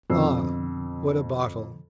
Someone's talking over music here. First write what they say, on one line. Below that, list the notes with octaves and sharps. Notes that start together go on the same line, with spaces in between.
Ah! what a bottle!
F2 B2 D3 F3 E6 C7